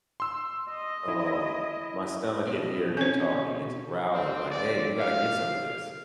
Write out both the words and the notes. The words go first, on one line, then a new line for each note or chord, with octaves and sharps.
Oh, my stomach can hear you talking. It's growling like, "Hey, we gotta get some of this.
C6 E6
D#5
E4
B2
C4 C#4 C5
C4
D5
F5